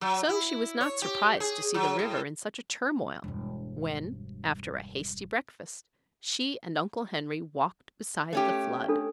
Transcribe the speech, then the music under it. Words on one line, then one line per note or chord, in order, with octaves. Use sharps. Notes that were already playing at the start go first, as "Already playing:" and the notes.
So she was not surprised to see the river in such a turmoil when, after a hasty breakfast, she and Uncle Henry walked beside the flood.
F#3
E4
C#5
G4
G#4
F#3
A2
E1 G2
A3 C#4 G4
D4 A4